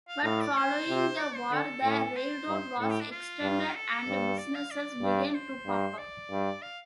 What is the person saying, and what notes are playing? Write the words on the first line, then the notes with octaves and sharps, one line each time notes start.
But, following the war, the railroad was extended and businesses began to pop up.
F5
A2 F5
D5
C5
C3
D5
C5
D3 A4
A2
C5
G2
A2 A4
G4
D4
F4
G2
A4
G2
D5
F5
D5
G2
C5
G2
D5
G2
F5